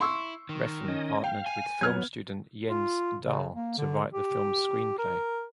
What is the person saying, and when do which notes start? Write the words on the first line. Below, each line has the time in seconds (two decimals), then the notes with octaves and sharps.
Refn partnered with film student Jens Dahl to write the film's screenplay.
0.01 E4 C6 C#6 E6
0.49 D#3
0.88 C#4 D#5
1.24 F5 G5
1.46 G#5
1.81 F#3 B3 F6 G#6
2.70 F4
3.25 C#3
3.55 A#3
3.78 D3
4.13 G4
4.98 A#4